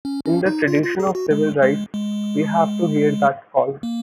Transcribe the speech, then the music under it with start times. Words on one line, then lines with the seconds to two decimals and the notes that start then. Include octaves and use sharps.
In the tradition of civil rights, we have to hear that call.
0.05 C#4
0.26 C#4
0.46 D#4
0.68 F4
0.83 F4
1.00 G#4
1.15 F#4
1.31 G#3
1.63 G#3
1.94 G#3
3.83 A#3